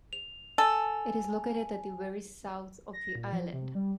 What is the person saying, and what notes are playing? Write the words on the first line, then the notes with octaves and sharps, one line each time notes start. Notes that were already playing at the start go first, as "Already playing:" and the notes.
It is located at the very south of the island.
F7
A4 G#5
A#6
A#2
F3
C3
G3